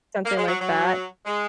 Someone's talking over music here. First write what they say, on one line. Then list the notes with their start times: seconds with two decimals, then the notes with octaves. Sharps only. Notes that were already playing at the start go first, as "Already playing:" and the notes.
something like that
0.26 A#3
0.37 G#3
0.48 F#3
0.60 F#3
1.26 G#3